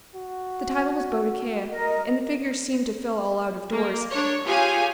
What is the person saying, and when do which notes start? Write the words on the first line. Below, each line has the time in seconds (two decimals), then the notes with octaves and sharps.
The title was "Boadicea," and the figure seemed to fill all out-of-doors.
0.15 F#4
1.71 A#4 D#5
3.71 A#3
4.10 D4 C#5
4.44 F4 G4 G#4 C#5 F5 G#5